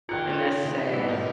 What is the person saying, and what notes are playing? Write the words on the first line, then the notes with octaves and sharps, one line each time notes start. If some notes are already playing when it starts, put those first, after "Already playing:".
and that's sad.
A#2 D#3 F4 G5 F#6 C#7
C#3 E3
G3 A#3 E4 B4
G#2 A#3 D#4